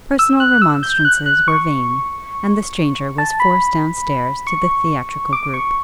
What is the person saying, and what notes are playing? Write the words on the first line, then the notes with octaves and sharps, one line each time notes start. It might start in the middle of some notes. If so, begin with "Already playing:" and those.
Personal remonstrances were vain, and the stranger was forced down stairs to the theatrical group.
E6
F#6
E6
G6
F#6
F#6
C#6
A5
B5
C#6
D6
C#6